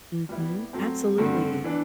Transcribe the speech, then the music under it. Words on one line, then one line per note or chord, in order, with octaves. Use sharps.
Mhm. Absolutely,
G3 B3 E4
F#3 A3 C4
G2 D3 A3 C4 F#4
E3 B3 D4